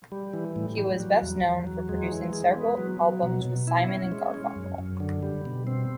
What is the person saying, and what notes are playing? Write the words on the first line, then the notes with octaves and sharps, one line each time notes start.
He was best known for producing several albums with Simon and Garfunkel.
G3
E3
A2
G3
F#3
E2
E2
F#3
G#3
E3
G#3
B3
F#3
F#3
B2
B2
E4
C#4
G#3
C#4
F#2
F#2
D3
G3
B2
C4